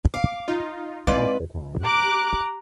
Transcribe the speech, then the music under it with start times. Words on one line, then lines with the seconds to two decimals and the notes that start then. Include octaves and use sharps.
At the time.
0.14 F5 D6
0.48 D#4 F4
1.07 G#2 G#3 C4 E4 B4 D5 F5
1.84 G4 A#5 D6 F#6